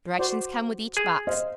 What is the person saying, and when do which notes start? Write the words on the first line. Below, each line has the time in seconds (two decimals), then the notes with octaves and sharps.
Directions come with each box.
0.19 F#4 C5 D5
0.97 G#4
1.27 C5 D#5 F5